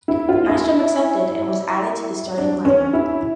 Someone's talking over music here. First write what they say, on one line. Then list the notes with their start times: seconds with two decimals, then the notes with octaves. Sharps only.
Nystrom accepted, and was added to the starting lineup.
0.08 E4
0.29 F4
0.49 E4
2.38 D4
2.65 C#4
2.93 E4